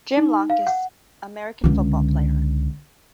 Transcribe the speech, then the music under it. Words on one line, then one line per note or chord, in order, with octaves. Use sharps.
Jim Lankas, American football player.
D#4
F5
F#5
C#2 D3